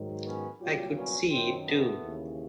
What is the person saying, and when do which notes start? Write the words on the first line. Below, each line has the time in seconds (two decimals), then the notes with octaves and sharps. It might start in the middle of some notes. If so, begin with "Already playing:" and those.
I could see it too.
Already playing: G#2 D#3 F#3
0.25 B3 C#4
0.60 C2 A#2 F#3 F4 G4
0.95 B3 C#4
1.31 F#2 D#3 F#3 A#3 C4
1.65 A3 B3
2.01 D#2 C#3 E3